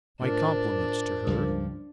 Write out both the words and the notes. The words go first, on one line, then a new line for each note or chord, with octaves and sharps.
'My compliments to her.
A2 D4 F4 A#4 C5
C#2 G2 F3